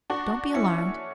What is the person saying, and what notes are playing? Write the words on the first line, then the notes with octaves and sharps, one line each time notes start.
Don't be alarmed.
D4 F#4 C#6
C#4 E4 C#7